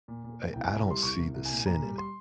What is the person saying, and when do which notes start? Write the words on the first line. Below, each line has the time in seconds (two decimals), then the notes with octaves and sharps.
a I don't see the sin in it.
0.08 A#2
0.24 A#2
0.40 A#2
0.54 C2 G5
0.66 G#5
0.71 C2
0.78 A#5
0.87 G3 C6
1.03 C2 C#6
1.19 C2
1.34 C2
1.45 G#5
1.51 A#2
1.66 A#2 A#5
1.82 G3
1.98 C6